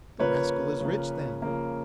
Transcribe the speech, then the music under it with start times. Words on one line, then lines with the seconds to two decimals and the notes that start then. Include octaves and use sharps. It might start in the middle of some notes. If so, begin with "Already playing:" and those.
"The rascal is rich, then?"
0.19 C#3 F3 A#3 B4 C#5
0.81 C#3 F3 A#3
1.42 C#3 F3 A#3